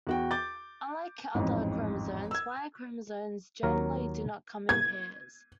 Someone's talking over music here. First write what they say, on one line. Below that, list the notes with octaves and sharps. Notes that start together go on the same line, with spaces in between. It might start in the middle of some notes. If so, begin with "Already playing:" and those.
Unlike other chromosomes, Y chromosomes generally do not come in pairs.
E2 F#4 G5
D6 G6 A6
A1 F2 G#2
E6 G#6
D#2 F#3 A#4
G#6